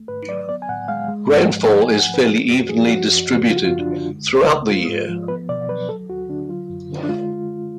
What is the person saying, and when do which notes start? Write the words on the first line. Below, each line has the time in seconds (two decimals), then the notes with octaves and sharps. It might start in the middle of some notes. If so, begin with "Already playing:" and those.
Rainfall is fairly evenly distributed throughout the year.
Already playing: A3
0.08 G#2 B4
0.28 F#3 D5
0.49 B3 D5
0.62 G#5
0.69 A2 F#5
0.88 G#3 F5
1.08 G#3
1.29 G#2
1.48 F3
1.69 A3 F#5
1.83 G#5
1.88 G#2
1.99 F#5
2.09 F3 B4
2.29 G#3 G#4
2.48 F#2 F#4
2.69 F3 G#4
2.89 F3 F#4
3.09 F#2
3.28 C#3
3.48 F3 F4
3.56 F#4
3.65 F4
3.68 F#2
3.79 D4
3.89 D3
4.09 G#3
4.29 C#2
4.49 C#3
4.68 G#3 F4
4.88 G#2
5.09 F3
5.28 B3 B4
5.49 B2 D5
5.68 F#3 B4
5.89 F#3 A4
6.09 D2 F#4
6.28 D3 D4
6.48 F#3 F4
6.69 F#2
6.89 D3
7.03 D4
7.09 G#3 F4